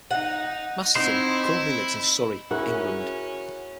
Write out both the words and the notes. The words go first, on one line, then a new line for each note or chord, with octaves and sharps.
Masterton currently lives in Surrey, England.
D#4 F#5
C4 D#4 E4 C6
C#4 E4 F#4 G#4 A#4 F#5